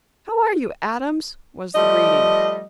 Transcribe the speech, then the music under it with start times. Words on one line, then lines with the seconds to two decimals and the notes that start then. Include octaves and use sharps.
"How are you, Adams!" was the greeting.
1.75 F3 G3 A3 D#5